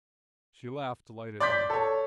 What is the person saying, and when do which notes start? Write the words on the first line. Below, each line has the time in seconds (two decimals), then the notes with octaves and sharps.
She laughed delightedly.
1.40 D5 C6 D6 G6 B6
1.70 A4 C#5